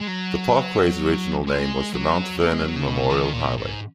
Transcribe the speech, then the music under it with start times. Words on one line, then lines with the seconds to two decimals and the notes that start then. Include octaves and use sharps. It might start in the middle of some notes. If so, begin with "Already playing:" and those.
The parkway's original name was the Mount Vernon Memorial Highway.
0.01 G#3
0.08 F#3
1.47 G#3
1.94 F#3
2.40 A#3
2.52 G#3
2.63 F#3
2.75 C#3
2.86 B2
3.10 D#3
3.33 A#2
3.56 G#2